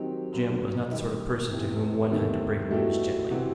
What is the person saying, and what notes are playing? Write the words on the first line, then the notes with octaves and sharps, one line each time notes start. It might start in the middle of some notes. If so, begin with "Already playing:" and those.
Jim was not the sort of person to whom one had to break news gently.
Already playing: D#3 F#3 C4 D#4 G4
F#2 F#3 B3
D#3 G3 D#4
E2 C3 E3
E2 C3 D#3 A3
B2 A3 E4 G4
C3 E3 B3 F#4